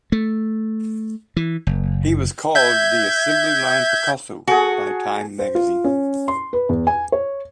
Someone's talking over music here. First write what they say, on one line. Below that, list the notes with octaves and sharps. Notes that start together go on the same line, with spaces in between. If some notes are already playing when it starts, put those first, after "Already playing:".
He was called the "Assembly-Line Picasso" by "Time" magazine.
A3
E3
F#1
E5 G6 G#6
F#4 G#4 A4 F#5 G#5
C5
F4
C#4
C6
B4
E2
G#5
C#5